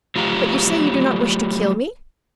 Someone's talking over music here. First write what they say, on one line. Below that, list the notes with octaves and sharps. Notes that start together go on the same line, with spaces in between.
"But you say you do not wish to kill me?"
F#3 A3 F4 G4 F5 A#5